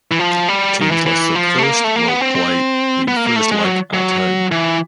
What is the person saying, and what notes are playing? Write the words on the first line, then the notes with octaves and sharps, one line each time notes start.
Teams listed first will play the first leg at home.
E3
F3
G3
D#3
E3
E3
F3
A3
A#3
A3
A#3
B3
C4
C4
B3
A#3
A#3
A3
G#3
F#3
F#3
E3